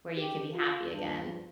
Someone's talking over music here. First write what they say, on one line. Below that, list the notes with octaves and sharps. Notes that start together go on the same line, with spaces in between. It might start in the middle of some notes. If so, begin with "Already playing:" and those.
where you can be happy again.
G4
F4
G2 F3 D4